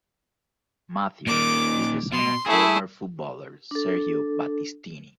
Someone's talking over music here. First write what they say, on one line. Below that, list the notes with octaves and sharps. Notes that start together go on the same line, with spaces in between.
Matteo is the son of former footballer Sergio Battistini.
A#2 D#3 D6
B2 C6
A3 E4 G#4
D4 A4